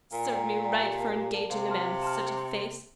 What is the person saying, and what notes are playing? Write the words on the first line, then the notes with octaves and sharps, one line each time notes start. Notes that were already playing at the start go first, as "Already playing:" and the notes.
Serve me right for engaging a man with such a face.
A#2 A#4
D5 G5 A#5
A#4
D5 G5 A#5
G4
A#4 D5 A5
G4
A#4 D5 A5
C3 F5
A5 C6 F6
F5
A5 C6 F6